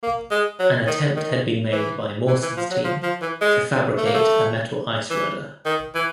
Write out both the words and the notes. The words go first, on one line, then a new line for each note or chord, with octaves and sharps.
An attempt had been made by Mawson's team to fabricate a metal ice rudder.
A#3
G#3
F#3
D#3
D#3
E3
E3
E3
F3
F#3
F3
F3
E3
G#3
A3
A#3
A3
E3
D#3
E3